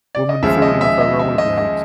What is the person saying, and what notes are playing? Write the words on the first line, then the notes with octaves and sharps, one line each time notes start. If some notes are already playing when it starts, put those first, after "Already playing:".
Woman falling off her rollerblades.
D5
D#5
D#2 C#3 F3 G#3 E5
D#5
E5
D#5
E5
D#5
D#5